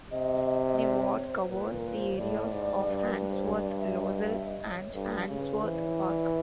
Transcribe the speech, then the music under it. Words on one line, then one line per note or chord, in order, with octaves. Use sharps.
The ward covers the areas of Handsworth, Lozells, and Handsworth Park.
C3 D#5
D#5
D#5
D5
C#5
C5
A#2 B4
B4
A#4
B4
C5
A2 D5
G#2
G2
A#4
B4
C5
C#5
D5
E5
D#5
E5
D#5
C#5
G2 A4
G4
C#3
B4
E3 C5
D5
C#5
D5